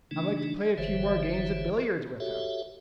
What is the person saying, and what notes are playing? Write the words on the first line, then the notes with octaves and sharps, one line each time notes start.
I'd like to play a few more games at billiards with him.
C#3 E3 A3 D4 D#4
G1 D3 E3 C5 C#5 E5
F#4 G4 A4 C#5 E5